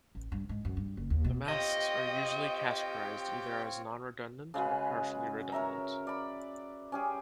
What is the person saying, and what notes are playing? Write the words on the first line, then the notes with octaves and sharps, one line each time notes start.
The masks are usually categorised either as non-redundant or partially redundant.
A1
G2
G#2
F#2
G2
F#1
D#2
B2
C4 F4 G4 C#5 D#5
C#3 G#3 F#4 B4
A#4 C#5 E5 A#5
D5 B5
C#4 G4 G#4